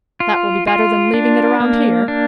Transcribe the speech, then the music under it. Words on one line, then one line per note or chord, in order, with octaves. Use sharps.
That will be better than leaving it around here.
F4
F4
D4
A#3
D4